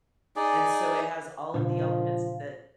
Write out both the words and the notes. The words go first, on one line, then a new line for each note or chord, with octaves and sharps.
and so it has all of the elements that
D#4 G#4 D5
A#2 C#3 F3 D4